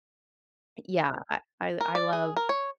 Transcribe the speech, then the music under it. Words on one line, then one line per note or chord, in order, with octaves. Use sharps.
yeah, I I I love
A#4
D5
G#4
A#4
C#5